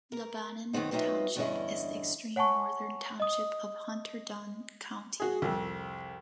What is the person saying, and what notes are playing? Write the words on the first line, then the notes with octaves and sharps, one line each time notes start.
Lebanon Township is the extreme northern township of Hunterdon County.
A#4
F#2 D#3 B3 C4 D#4
F#3 C4 D#4 F4 B4 E5
E2 G2 D3 C#4 E4 D#5
C#5 F#5 G#5 A5 C#6
D#5 D#6
F#4 G#4
C2 F2